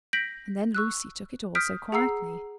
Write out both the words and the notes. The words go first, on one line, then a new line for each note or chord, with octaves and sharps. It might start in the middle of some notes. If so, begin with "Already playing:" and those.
And then Lucy took it all so quietly.
G6 A#6 B6 D7 F#7
C#6 E6 F#6
D#6 F6 G6 B6 D7
G#4 F#5 A#5 E6 C7